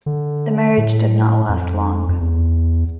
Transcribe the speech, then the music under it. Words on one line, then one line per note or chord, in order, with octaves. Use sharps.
The marriage did not last long.
D3
A2
F2
F2
E2